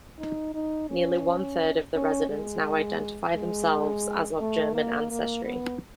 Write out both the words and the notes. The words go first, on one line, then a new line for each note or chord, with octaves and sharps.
Nearly one-third of the residents now identify themselves as of German ancestry.
D#4
D#4
C#4
C#4
G#3
G#3
A3
A#3
A#3
B3